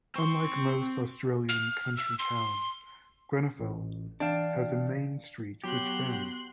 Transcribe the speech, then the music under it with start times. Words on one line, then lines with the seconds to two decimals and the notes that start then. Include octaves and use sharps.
Unlike most Australian country towns Grenfell has a main street which bends.
0.16 C4 C6 C#6
1.49 F6
1.97 E6
2.19 C6
3.60 A1
4.20 E3 D4 F5 G5 A5
5.64 F#3 B3 F#4 G4 C6 F#6